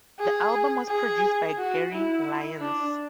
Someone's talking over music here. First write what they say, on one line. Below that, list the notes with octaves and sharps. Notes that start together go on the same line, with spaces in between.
The album was produced by Gary Lyons.
G#4
G#4
F#4
E4
D4